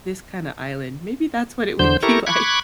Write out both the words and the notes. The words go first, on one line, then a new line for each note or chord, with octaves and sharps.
this kinda island, maybe that's what it would be like.
E2 D3 C5 G6
E4 G4 A4 A#4 A#5 C#6
B5 C#6 D6 F#6 G#6